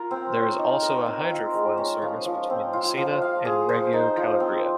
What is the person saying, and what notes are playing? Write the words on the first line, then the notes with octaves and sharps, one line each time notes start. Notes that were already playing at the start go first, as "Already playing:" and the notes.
There is also a hydrofoil service between Messina and Reggio Calabria.
Already playing: F4 A#4
C4
C#5
D#4
A#4
C4
F4
G#3
C#4
F3
F3
C4
F4
F3
F5
G#4
C5
D#4
F3
C4